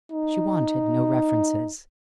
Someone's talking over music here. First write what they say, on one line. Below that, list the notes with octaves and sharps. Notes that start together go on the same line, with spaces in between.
She wanted no references.
D#4